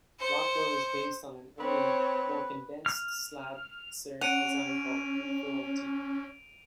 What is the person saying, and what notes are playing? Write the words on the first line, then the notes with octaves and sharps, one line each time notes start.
Rockwell is based on an earlier, more condensed slab serif design called "Litho Antique".
C5 C#7
C4 B4 C#5
F6
C#4 F#5 D7 D#7 F7